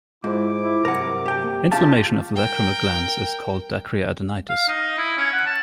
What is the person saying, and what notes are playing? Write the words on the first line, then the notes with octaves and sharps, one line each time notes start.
Inflammation of the lacrimal glands is called dacryoadenitis.
G#2 E4 F4 G#4 C5 D6
E4
G2 C3 F#3 A#4 F#5
G4 G5
A#3
C#4 F4 G4 G#4 F5 A5
A#4 G5
F5
D#4
E4
C#4
F#5
A5